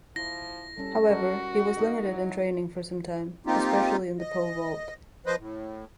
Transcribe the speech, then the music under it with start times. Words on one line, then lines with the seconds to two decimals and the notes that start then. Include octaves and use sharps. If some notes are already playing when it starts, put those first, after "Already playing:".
However, he was limited in training for some time, especially in the pole vault.
0.16 F3 E4 A#6
0.78 G3 C#4 A4
1.09 G3 C#4 F#4 A#4
1.77 D#4 A#4 D#5
2.08 F#3 E4
3.46 A#3 C4 D#4 F4 G4
4.19 D#5
5.26 F3 B4 C5 D#5
5.39 A2